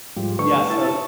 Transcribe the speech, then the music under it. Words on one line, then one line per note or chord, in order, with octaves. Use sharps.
Yeah, so
G#2 F3 G3
D3 A3 B4 C#6
E4 A5